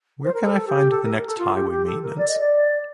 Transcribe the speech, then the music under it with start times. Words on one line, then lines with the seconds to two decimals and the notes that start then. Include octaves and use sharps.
Where can I find the next highway maintenance?
0.24 C5
0.34 A#4
0.43 A4
0.67 G4
0.90 A4
1.03 A#4
1.14 A#4
1.27 A4
1.38 F4
1.54 G4
1.70 G4
1.86 A4
2.02 A#4
2.18 D5
2.28 D#5
2.39 D5